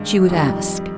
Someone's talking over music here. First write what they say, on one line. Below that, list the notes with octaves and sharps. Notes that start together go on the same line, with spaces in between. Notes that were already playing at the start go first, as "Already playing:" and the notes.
She would ask.
Already playing: G2 D#3 G#3
F2 D#3 G3